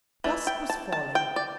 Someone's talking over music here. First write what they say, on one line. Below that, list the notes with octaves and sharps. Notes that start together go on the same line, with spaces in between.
Dusk was falling.
E3 A3
G5
A5
A5
G5
D5